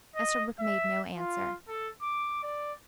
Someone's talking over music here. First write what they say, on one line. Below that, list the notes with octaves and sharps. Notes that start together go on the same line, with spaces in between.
Esterbrook made no answer.
D#5
E5
F4
A4
D6
D5